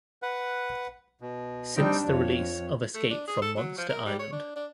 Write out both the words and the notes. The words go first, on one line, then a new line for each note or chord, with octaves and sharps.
Since the release of Escape from Monsta Island!
B4 F#5
B2
G3 C4 D4 D#4 G5
F2 C#5
A3
D4
G#4
A4
F#3
F3
A#4
G3
C#5
D4
D4